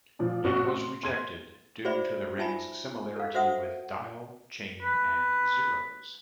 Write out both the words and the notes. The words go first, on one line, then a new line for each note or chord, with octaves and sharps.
It was rejected due to the rings' similarity with "dial", "chain" and "zeros".
A#2 F3
A1 F#4 C#6 E7
C6
C6 G#6 D#7
F#4 G#4 C5 D5 E5 B5
D#4 F4 E5 G#5 A5 B5
A4 F5
F#4 C5 E5 F#5 D#6
B4